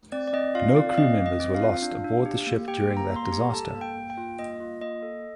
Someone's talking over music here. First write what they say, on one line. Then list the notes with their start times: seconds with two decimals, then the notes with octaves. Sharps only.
No crew members were lost aboard the ship during that disaster.
0.12 C4 D5
0.27 D5
0.33 C4 D#5
0.55 F4 F5
0.76 C4 D5
0.91 F5
0.98 C4 D#5
1.19 C4
1.26 D#5
1.40 C4
1.55 F5
1.61 F4
1.82 D4
2.04 D4
2.25 G4
2.47 A#3
2.68 G4 G5
2.89 A#3
2.97 A#5
3.11 A#3
3.16 C6
3.25 A#5
3.32 G4
3.53 A4 A5
3.75 A#3
3.81 G5
3.96 A#3
4.10 G5
4.17 F4
4.39 A#3 D#5
4.60 F4
4.81 A#3 D#5
5.02 A4